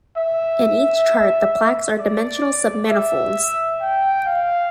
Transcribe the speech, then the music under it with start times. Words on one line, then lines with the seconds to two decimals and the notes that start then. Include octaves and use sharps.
In each chart, the plaques are dimensional submanifolds.
0.17 E5
1.99 D5
2.90 E5
3.81 G5
4.26 F5